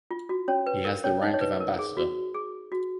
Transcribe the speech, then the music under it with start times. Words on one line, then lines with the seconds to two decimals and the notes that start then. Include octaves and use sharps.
He has the rank of ambassador.
0.11 F4
0.29 F#4
0.48 C#4 C#5
0.66 B4
0.85 A#4
1.04 C#4 C#5
1.22 D#4 D#5
1.34 C#5
1.41 B4
1.60 A#4
1.79 G#4
1.97 F#4
2.34 G#4
2.72 F#4